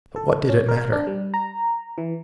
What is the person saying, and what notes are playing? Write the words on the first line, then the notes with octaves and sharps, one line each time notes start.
But what did it matter?
A4
C#4
A#4
D4
G3
A#5
E3